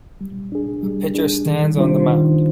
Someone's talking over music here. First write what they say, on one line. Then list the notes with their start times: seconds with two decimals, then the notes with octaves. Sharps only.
A pitcher stands on the mound.
0.21 G3
0.52 D4 G#4
0.83 G3
1.15 D4 G#4
1.46 D#3
1.77 G3 D4 F4 C5
2.08 D#3